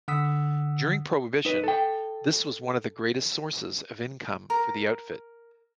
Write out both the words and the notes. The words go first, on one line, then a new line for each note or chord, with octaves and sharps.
During prohibition, this was one of the greatest sources of income for the Outfit.
D3 F#5 D#6 E6 B6
D#4 B4
A4 G5
A#4